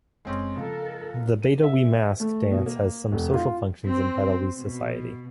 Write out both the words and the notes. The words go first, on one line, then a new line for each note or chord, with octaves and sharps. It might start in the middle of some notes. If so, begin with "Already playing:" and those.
The Betawi mask dance has some social functions in Betawi society.
F#1 G#3 C4 C#4
C#2 F3 A#3 A4 A#4
D#7
E5
A3
B2
A#3
F1
F4
C4
B2